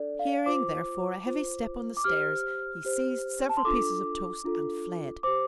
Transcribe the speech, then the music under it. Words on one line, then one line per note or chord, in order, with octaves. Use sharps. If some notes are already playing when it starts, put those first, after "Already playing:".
Hearing, therefore, a heavy step on the stairs, he seized several pieces of toast and fled.
Already playing: D4 A4 D5
F5
F4 C5 D6
F4 C5
D6
G4 C5 F6
G4 C5
A5
C6
D4 F4 A4 D6
D4 F4 A4
G4 C5 D6